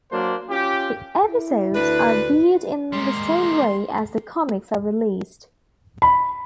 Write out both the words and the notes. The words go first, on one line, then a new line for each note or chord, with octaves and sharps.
The episodes are viewed in the same way as the comics are released.
F#3 A#3 D4 C5
C#4 F4 G4
E4
D2 D4 B4
G3 G#3 A#3 C6
B5